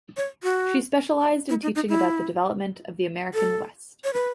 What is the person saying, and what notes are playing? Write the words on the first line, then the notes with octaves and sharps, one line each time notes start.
She specialized in teaching about the development of the American West.
C#5
F#4
E4
D#4
D#4
E4
A4
C#5
B4